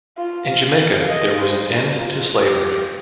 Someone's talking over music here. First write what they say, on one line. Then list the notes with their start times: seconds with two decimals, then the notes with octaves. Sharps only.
In Jamaica, there was an end to slavery.
0.17 F4
0.47 F5
0.77 F5
1.08 D#5
1.38 C5
1.68 A#4
1.97 F4
2.43 G4